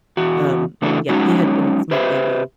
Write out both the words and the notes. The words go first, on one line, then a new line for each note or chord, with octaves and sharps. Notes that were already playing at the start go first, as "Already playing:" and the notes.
um, yeah, he had been smoking, and,
E2 F#4
C#3 E3 A3 D4 F#4 A4
F#3 G#3 C#4 D#4 F#4
G4 B4 C5 E5